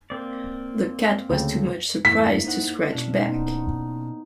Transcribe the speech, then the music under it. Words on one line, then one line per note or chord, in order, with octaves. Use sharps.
The cat was too much surprised to scratch back.
A#3 C4 D5
D2 C#3 G5
E2 G2 A3 A#3 E4 B6
D#4 C5 F#5
B2 C#4 D4
B3 D#4 C5